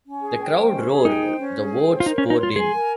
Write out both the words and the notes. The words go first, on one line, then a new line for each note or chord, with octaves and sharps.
The crowd roared, the vote's poured in.
C#4
G#4
G5
C5
C#4
G#4
D#4 G5
C5
C#4
G#4
G5
C5
F4
D#4 A#4
C#4
C#5
D#4
F4 C6
G#4 G#5
A#4